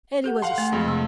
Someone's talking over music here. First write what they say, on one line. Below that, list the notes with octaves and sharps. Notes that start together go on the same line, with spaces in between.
Elly was asleep.
G4 A4 F#5
F5 F#5 A5 C6
A3
F2 G#3
C3 E6